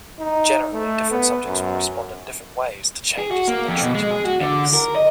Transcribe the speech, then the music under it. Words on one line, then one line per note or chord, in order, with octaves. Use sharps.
Generally, different subjects will respond in different ways to changes in the "treatment" "x".
D#4
A3
B3
F#2
G#4
F#4
A#3
F2
B2
G#3
G#4
F#4
D3
A#4
D#5